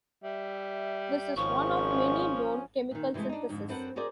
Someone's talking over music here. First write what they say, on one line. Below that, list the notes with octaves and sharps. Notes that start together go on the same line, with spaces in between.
This is one of many known chemical syntheses.
G3 E5
G#1 F3 C#4 C#6
A#2 D#3
C3 E3 F#3 G#3 A3
D4 D#4
F2 G#2 D3
F#2 C4 A4 B4 F#5
F#4 G#4 A#4 C5 D5